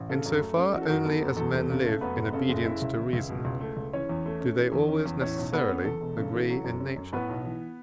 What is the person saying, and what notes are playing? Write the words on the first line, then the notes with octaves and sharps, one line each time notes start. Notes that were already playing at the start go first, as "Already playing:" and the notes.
In so far only as men live in obedience to reason, do they always necessarily agree in nature.
Already playing: A1
C#3 A4
F#2
A3
C#4
E3 F#4
A4
F#2 F#4
B3 A4
F#2
E2 A4
E1
C#3
A3
F#2 B3 B4
F#1
C#3 A4
F#1
C#3 E4 E5
C#2
E3
C#2
B2
C#2
A3
C#2
E3 C#4 C#5
E2
A3
C#4
E3
E2
C#4
E2
A2 C#4 C#5
B1
A3 B3 B4
C#4
E2 A4
E1
C#3
E3
F#3
F#2
C#4
F#2
A2 B3 B4
B1
E3